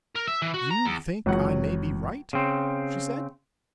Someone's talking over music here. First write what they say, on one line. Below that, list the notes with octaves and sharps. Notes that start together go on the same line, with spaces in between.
"You think I may be right?" she said.
A#4
E5
E3
F#4
A#5
E2
F#1 C#2 E3 F#3 C4 F#5
C#3 C4